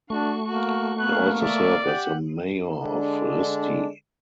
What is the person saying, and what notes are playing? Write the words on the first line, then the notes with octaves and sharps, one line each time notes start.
He also serve as the mayor of Risti.
A3 D4 F#4 C#6
A#3 F#4
A#3 B3 F#6
D5 E5
G4 F#5
D3 G#3 D4